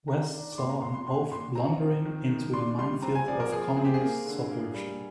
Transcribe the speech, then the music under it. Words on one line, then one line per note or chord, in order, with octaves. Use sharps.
West saw an oaf blundering into the minefield of Communist subversion.
D#3 A#5
D4
D6
A#2 C6
A#5
A#2 C6
C6
A#2 C6
A#2 C6
C4 A#5
F3
D#3
D#3
D4 C6
G3 C6
C4 A#5
G#5
F3 D5
A#4
F3 G#4
C4 G#4
G4
G#4
A#3
D3
A#3
G3